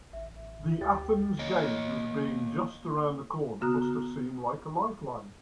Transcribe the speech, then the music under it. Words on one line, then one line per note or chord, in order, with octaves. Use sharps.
The Athens games being just around the corner must have seemed like a lifeline.
A1 E5
D2 G4 G5 A6
A#3 C#5 D#5
C#3 B3 F#4 A#5 D#6 F#6